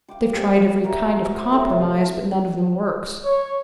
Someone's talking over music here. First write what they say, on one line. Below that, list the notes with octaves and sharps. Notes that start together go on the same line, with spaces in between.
They have tried every kind of compromise but none of them works.
F5 G5 D6
C4 G4 D5 G#5
F#4 A#4 C#5 E5
A#4 C5
A2
C3 F4
C#5